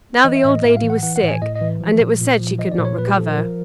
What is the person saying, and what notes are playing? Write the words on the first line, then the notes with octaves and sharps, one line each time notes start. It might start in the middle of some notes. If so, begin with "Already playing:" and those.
Now the old lady was sick, and it was said she could not recover.
E3 D#5
E5
A2 D#5
A2 E5
F5
E3
F#5
E3 F#5
F#5
A2
G#5
A2 D#5
D#5
E3
F3
A#2
A#2
F3
F3 D#5
D5
A#2 C5
C#5
A#2 B4
G4
F3 A4
A#4
F3